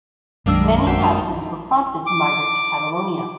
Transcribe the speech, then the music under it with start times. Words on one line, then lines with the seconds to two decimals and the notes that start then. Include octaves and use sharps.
Many inhabitants were prompted to migrate to Catalonia.
0.46 B1 F#2 D#3 F#3 G#3 A#3 D4 E6
0.87 A#1 F#4 C5 E5 F#5 G5
1.00 F3 D#4
2.06 D6